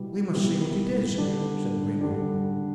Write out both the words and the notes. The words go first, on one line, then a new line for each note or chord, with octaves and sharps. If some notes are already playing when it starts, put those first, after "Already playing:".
"We must see what it is," said Grimaud.
Already playing: B2 G3 B3 E4
B2 G3 B3 E4 B4
D3 G3 D4
D3 G3 D4